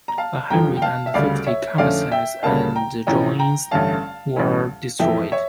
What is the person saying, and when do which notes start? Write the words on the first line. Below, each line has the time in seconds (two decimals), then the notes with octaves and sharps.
A hundred and fifty canvases and drawings were destroyed.
0.08 A#5
0.18 F5 A5
0.50 G1 F2 D3 F3 G5 A#5
0.77 G5
0.82 F5 A5
1.06 E5
1.14 D2 C#3 G3 D5 F5
1.47 C#5 E5
1.78 F2 D3 A3 C#4 D5 F5
2.12 E5 G5
2.43 D2 C#3 G3 A#3 C#4 F5 A5
2.75 G5 A#5
3.07 A1 A2 F3 C#4 G5 A#5
3.39 G5 A#5
3.71 A1 G2 D3 A3 C#4 F5 A5
4.36 A1 A2 G3 C#4
4.99 F2 E3 A3 E5 G5
5.32 C#5 E5